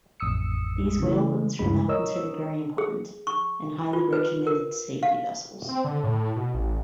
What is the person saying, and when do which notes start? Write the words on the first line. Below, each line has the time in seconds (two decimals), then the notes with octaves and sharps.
These whaleboats are now considered very important, and highly regimented safety vessels.
0.20 A1 F2 D#6 E6 C#7
1.00 C#3 E3 A3
1.59 D2 G2 C#3 E3 G#3 B5
1.88 A#4 C#5 D#5 E6
2.78 G#4
3.27 C#6
3.93 F4
4.13 B4
4.47 A#4
5.03 F5
5.69 C4
5.84 D3
6.04 A2
6.36 B2
6.54 A1